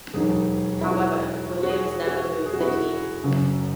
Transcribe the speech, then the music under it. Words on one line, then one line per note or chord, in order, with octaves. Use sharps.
However, Williams never moved the team.
E1 D#2 D#3 F#3 G#4
E4
F#4
F#4
G#4
F#4
G#4
F#4
E4
F#4
F#1 F#2 C#3